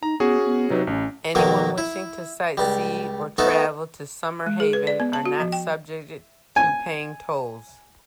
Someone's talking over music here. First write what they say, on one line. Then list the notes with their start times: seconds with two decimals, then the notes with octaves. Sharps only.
Anyone wishing to sightsee or travel to Summerhaven are not subjected to paying tolls.
0.03 D#4 A#5
0.20 B3 C#4 F#4 G#4
0.45 B3
0.70 C3 F#3 D#4 B4
0.87 A1 C#4
1.35 B1 F2 D#3 F#3 A#3 A#4
1.78 E4
2.57 C#2 G3
3.38 A3 B3 D#4 A4
4.46 G#3
4.60 G#4
4.73 B4
4.87 D5
5.00 B3
5.13 A5
5.26 F#4
5.40 F3
5.52 G5
6.56 G#5